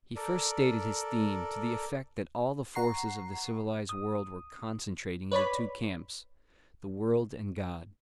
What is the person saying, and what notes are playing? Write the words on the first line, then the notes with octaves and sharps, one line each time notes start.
He first stated his theme; to the effect that all the forces of the civilised world were concentrating into two camps--the world and God.
A4 A#4 D5
F#5 A#5 C#6 C7
D#6
B4 C#5 D5 B5